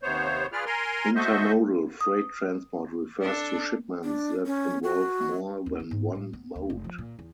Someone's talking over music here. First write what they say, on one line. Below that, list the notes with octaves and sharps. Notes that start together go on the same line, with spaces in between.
Intermodal freight transport refers to shipments that involve more than one mode.
D#2 C3 B3 C5 C#5
F4 G#4 B4 D5 F6
A#4 G#5 A#5 C6
F#4 A4 C5 D#5 E5
D#6
D4 A4
D4
C#4
F#4
D#2
E4
G#2
A2
B3
D#2
F1
F3
A#2
E2